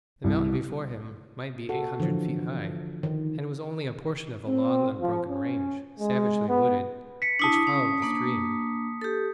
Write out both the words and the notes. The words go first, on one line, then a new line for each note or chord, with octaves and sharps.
The mountain before him might be eight hundred feet high, and was only a portion of a long unbroken range, savagely wooded, which followed the stream.
C2
F#4 A4
D3 E3 F3
D#3
C4
F3
C#4
G#3
B3
B6 C#7
D4 E4 A5 D#6 B6
C#4
A#3 D4
G4 A4